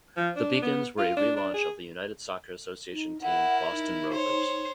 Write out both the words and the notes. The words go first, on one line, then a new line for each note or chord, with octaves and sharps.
The Beacons were a relaunch of the United Soccer Association team Boston Rovers.
F3
D4
B3
F4
D4
D4
G#4
D#4
E4 A#4 F#5
D#4
C5 C#5